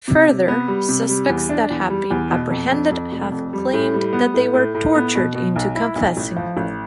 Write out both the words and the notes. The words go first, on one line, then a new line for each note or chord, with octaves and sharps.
Further, suspects that have been apprehended have claimed that they were tortured into confessing.
C3
C3
B3
G3
C3
G3
E2
D4
E2
G3
E2
B2
F2
F2
F2
F1
F2
G3
A2
G3
B3
A2
A2
A2
B3
B2
B2
B1
E4
B1
A1
F3
A1